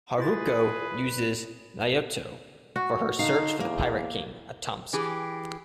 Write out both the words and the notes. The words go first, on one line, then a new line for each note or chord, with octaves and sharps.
Haruko uses Naota for her search for the Pirate King, Atomsk.
E4 F4 G#4 B4 A6
F#4
D3 D#4 F5
E2 A#3
E3 G4 G#4